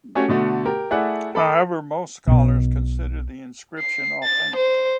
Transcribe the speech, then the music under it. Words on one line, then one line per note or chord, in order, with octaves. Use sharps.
However, most scholars consider the inscription authentic.
A3 C#4 F#4 G4 C#5
B2 D3 A3 F#4
G4 A#4
A3 E4 G#4 D5 F#5
A4 B5 D6
B1 B2
C7
A6
C5